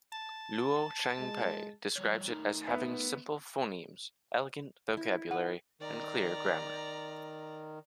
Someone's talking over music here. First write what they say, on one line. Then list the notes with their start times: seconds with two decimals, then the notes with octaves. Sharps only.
Luo Changpei describes it as having simple phonemes, elegant vocabulary, and clear grammar.
0.12 A5
1.19 G#3
1.96 F3 G3 C#5
2.28 A3 D#4 A#4
2.68 B3 B4 E5
4.97 E4
5.31 B4 F#5
5.81 D#3 D5 A#5